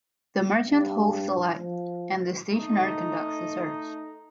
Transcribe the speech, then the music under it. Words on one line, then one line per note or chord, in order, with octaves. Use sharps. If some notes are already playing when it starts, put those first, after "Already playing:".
The merchant holds the light, and the stationer conducts the search.
G2
F3
A3 D#4